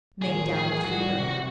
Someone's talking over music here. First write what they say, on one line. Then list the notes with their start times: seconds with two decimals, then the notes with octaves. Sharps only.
Mate down with fever.
0.22 A2 D#3 F3 G#4
0.84 G3 F#4
1.17 C3